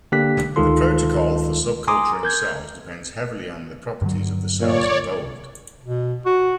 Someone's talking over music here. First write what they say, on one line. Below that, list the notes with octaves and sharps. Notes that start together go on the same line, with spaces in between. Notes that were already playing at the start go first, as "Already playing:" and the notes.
The protocol for subculturing cells depends heavily on the properties of the cells involved.
D3 A#3 D4 G4 F#6 B6
D2 D#3 G#3 F4 A4 C6
G#5 A#5 C6 D6 D#6
A#4 G6 G#6
G2 D3 F#3
A#2 C#5 D5
B2
F#4